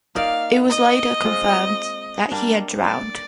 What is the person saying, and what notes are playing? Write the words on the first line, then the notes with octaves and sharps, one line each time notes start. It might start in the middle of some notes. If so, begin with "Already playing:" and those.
It was later confirmed that he had drowned.
A#3 D#4 A#4 D5 F5
D#5
G#3 C4 F4 C5
G3 A#3 D4
D5